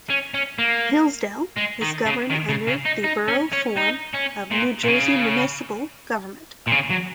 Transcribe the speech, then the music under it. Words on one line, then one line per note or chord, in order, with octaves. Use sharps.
Hillsdale is governed under the Borough form of New Jersey municipal government.
C#4
C#4
A#3
G#3
D#3
C#3
D#3
C#3
C#3
D#4
D#4
C#4
C#4
D#4
C#4
A#2
A#2
C#3
A#2
C#3
F#3